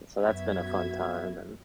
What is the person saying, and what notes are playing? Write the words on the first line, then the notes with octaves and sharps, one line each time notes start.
And so that's been a fun time, and,
F#2 B3 F#4 E5 G#6